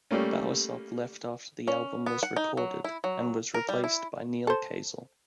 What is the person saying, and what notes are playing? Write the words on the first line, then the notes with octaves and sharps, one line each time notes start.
Bowersock left after the album was recorded, and was replaced by Neal Casal.
G3 A3 A#3 C#4
C#4
B3
F#5
D#4
F#3
E4
F#3
A#4
G3
E4
A4 C5